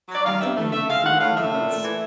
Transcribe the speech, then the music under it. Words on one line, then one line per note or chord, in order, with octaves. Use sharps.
Arthur entered, in obedience.
F#3
D5
D#3 F5
G2 E5
A3
A3 E5
G#3 F5
A2 F#5
A2 F5
A2 E5
A#2
A3
E3